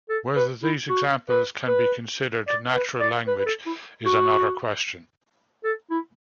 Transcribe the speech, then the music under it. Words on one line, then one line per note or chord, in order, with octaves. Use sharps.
Whether these examples can be considered "natural language" is another question.
A4
B4
E4
F#4
B4
B4
D5
B4
D5
B4
B4
A4
E4
F#4
A4
E4